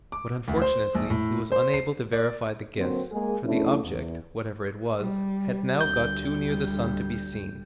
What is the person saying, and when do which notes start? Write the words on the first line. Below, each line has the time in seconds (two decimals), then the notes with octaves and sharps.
But unfortunately he was unable to verify the guess, for the object, whatever it was, had now got too near the sun to be seen.
0.12 D6
0.48 D2
0.62 C5
0.95 A#1
1.10 A2
1.52 C5
1.74 C7
2.13 D5
2.77 D3 F#3 A#3 C4
3.11 G#3 A#3 G#4
3.45 E2 F3 A3 C#4 D4 E4
3.83 E2
5.01 G3
5.81 D2 G3 G6